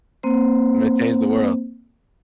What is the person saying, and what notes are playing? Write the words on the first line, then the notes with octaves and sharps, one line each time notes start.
I'm gonna change the world.
A#3 C4 C5